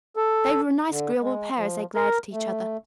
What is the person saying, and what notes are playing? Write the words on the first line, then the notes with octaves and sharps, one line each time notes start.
They were a nice agreeable pair as they glared at each other.
A4
D3
G#3
F3
A#4
A3